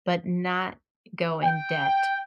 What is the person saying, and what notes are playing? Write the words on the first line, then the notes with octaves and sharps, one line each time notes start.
but not go in debt
G5